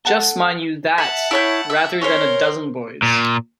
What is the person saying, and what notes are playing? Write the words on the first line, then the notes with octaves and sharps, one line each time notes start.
Just mind you that — rather than a dozen boys.
A4 F#5 A5
E5 F#5 A5
E4 C#5 G6
E5
C#4 A#4 C5 C#5
A#2